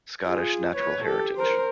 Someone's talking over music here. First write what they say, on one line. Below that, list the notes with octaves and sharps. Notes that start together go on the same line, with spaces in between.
Scottish Natural Heritage.
F4 G#4
B4 C#5
G4 A4
A#4 C5